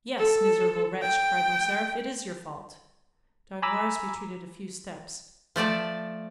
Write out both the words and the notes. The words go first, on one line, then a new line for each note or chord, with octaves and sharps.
"Yes, miserable wretch!" cried Morcerf, "it is your fault." Danglars retreated a few steps.
A4
G5
G#5 A#5 B5 D6 E6
F3 A3 D5 A5